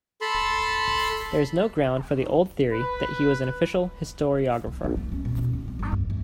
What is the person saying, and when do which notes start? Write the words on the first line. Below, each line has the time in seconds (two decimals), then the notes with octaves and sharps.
There is no ground for the old theory that he was an official historiographer.
0.21 A4 A5 B5 C6
2.73 B4
4.67 B3
4.84 B3
4.97 A3
5.12 C#4
5.25 B2
5.38 D2
5.53 A#3
5.68 C4
5.79 G1
5.92 G2
6.10 A3